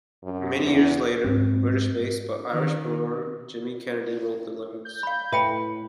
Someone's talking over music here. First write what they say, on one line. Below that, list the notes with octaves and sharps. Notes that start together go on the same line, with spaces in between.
Many years later British-based, but Irish-born Jimmy Kennedy wrote the lyrics.
F#2
E2
G#2 C4
D#3
G6
F5 B5
A2 B4 E5 G5 B5